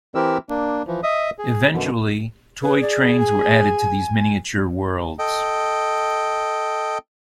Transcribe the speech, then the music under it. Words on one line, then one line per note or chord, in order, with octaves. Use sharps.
Eventually, toy trains were added to these miniature worlds.
E3 C4 E4 G4 A#4 E6
A#3 D4
E3 F3
D#5 E5 D#6
G#4
F#2 B2 D3
G#4 B4
D5
G#5
A4 D#5 G5